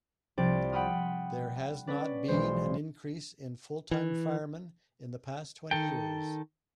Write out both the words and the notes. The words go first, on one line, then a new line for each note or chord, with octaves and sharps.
There has not been an increase in full-time firemen in the past twenty years.
C2 F3 D5 G5 D7
F#5 G5 B5 D#6 F6
C#4 B4 D5
B1 E3 G#3 C5
E3
D#3 A4 G5